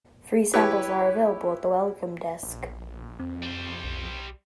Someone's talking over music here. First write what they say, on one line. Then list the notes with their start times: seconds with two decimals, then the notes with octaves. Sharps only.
Free samples are available at the Welcome Desk.
0.54 E4 G4 B4 C#5
2.43 A#1
3.20 F2 C4
3.42 G3 C5
3.84 B1